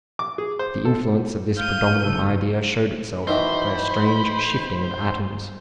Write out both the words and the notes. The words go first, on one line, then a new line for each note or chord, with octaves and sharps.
The influence of this predominant idea showed itself by a strange shifting of atoms.
D6
G#4
C5
A4
F5 G6 D#7
F#1 A4
B2 D#3 E3 C5 B5